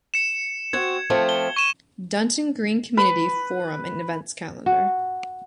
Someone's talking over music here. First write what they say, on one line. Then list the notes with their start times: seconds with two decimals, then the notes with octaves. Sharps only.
Dunton Green Community Forum and events calendar.
0.14 C#7 E7
0.73 C4 F#4 G#6
1.10 F3 A3 C4
1.29 G7
1.56 C#6 D#7 E7
2.97 B4
4.66 F#4